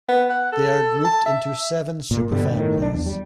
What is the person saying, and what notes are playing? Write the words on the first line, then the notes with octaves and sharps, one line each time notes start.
They are grouped into seven superfamilies.
B3
F#5
A4
A5
E5
A#2
G2 B2 D3 G3
A2 D#3
B1 D4
E2
G3